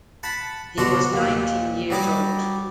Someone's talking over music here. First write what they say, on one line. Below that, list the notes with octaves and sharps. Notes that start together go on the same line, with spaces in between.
He was nineteen years old.
F#5 A5 B5
B2 D3 F#4 A4 D5 C6
D#2 A#2
F#3 G3 D5 D6 D#6